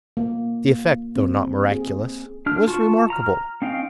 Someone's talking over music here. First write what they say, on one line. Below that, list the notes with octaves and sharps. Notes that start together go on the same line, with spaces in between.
The effect, though not miraculous, was remarkable.
A#3
C4
G#4
D4 F6
F4 A5 C#6
A#5 F6
C4 C#4 D#4 F5 G5